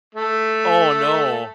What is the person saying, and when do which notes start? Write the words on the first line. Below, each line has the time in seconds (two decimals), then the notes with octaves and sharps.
Oh no.
0.15 A3